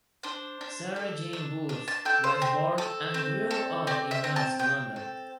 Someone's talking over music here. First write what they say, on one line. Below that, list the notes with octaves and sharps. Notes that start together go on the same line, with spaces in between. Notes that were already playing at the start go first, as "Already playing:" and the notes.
Sarah Jane Booth was born and grew up in North London.
D4 C5
D4
A4
D4
D4
A5
A4 G5
C5
C4
A4
C4
A4
C4 D5
E5
C4
A5
C4 G5
A4